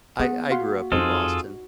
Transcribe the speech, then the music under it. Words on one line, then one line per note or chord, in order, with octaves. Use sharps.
I I grew up in Boston.
A#3 B3 G#4 F#5 D#6
F#4 F5 F#5 C6
F2 D#4 F4 G#4 A4 C5 D#5